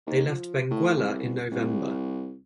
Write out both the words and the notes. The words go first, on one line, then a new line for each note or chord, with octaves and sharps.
They left Benguela in November.
D#2
F3
A2
C2
C2